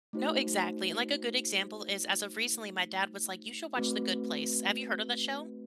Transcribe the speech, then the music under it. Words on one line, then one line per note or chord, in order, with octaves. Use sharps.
No, exactly, and, like, a good example is, as of recently, my dad was like, "You should watch The Good Place." Have you heard of that show?
A3 D#4 F#4 C5
A3 C4 F#4 B4